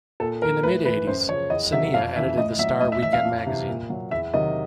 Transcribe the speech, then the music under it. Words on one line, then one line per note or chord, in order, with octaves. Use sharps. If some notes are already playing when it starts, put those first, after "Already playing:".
In the mid-eighties, Saneeya edited The Star Weekend magazine.
A#2 A4
F3 A#4
A2 B4
E3 B4
F#2 C5
C#3 F3 C#5
E2 D#5
C3 D#3 F#3 E5
F2 F5
C#3 E3 E5
A2 D#5
F#3 E5
A2 D#5
E5
E3 E5
F5
F2
C3 E3
A#2
F#3
E2 E5
C3 D#3 F#3 D#5